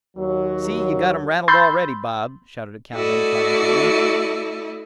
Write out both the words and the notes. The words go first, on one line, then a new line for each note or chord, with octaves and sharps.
"See, you've got him rattled already, Bob," shouted a cowman triumphantly.
D#2 F#3
B5 C6 E6 G6 A6
A3 E4 F#4 A4 D5 D#5